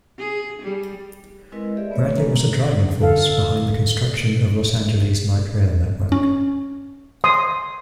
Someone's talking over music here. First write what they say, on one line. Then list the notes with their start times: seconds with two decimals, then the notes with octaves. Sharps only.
Bradley was a driving force behind the construction of Los Angeles' light rail network.
0.18 G#4
0.62 G3
1.52 G#3 C4 E4 A#4 B4 D#5
1.77 G4 G#4 D5 E5
1.90 A3 B3 B4 C#5
2.17 G#3 C#4 B4 A#5
3.00 D3 A4 F5
6.12 C#4
7.24 C6 D#6